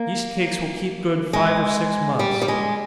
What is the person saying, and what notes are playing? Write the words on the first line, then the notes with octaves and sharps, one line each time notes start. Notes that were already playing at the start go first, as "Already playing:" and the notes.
Yeast cakes will keep good five or six months.
Already playing: A#3
G#3
G3
G3
G#3